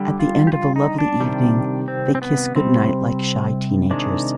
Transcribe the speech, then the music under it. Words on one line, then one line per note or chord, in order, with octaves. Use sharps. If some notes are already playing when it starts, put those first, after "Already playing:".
At the end of a lovely evening, they kiss goodnight like shy teenagers.
Already playing: D3 G3
F4
G4
F4
D#4
D4
C3 D#3 G3
C4
C4
B3
C3 G3 C4
C3 D#3 G#3 D4